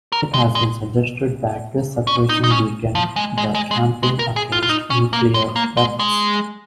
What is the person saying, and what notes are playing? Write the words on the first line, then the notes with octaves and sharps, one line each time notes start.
It has been suggested that this separation weakened the campaign against nuclear weapons.
A#4
G#3
G#3
C#4
D#4
D#4
C#4
F3
G#3
G#3
G#3
G#3
G#3
A#4
G#4
F4
F4
D#4
C#4
A#3
G#3
A#3
G#3
G#3